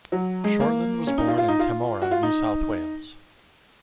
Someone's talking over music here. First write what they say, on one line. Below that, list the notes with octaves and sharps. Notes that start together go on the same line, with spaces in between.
Shortland was born in Temora, New South Wales.
F#3
G#3
A#3
C#4
D#4
F4
F4
D#4
F4
F#4
F4
D#4